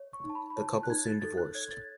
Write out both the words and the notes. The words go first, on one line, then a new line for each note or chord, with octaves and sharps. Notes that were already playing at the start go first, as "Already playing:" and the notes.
The couple soon divorced.
Already playing: C#5
C#6
D#4
A5
B5
B5
C#5 A5
A5
F#6
D#4 G#6
A6
A4 A6
F#6
C#5 G#6
A6